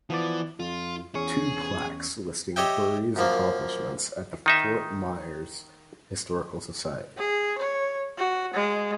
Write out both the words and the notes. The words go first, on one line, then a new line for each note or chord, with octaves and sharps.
Two plaques listing Buerry's accomplishments at the Fort Myers Historical Society.
E3 F3 B3 D5
F2 F4
E2 C#4 G#4 C#6
G4 C#5 D#5 E5 G5
F#2 F3 A#3
D#3 D#4 E5
G#4
C#5
F#4
G#3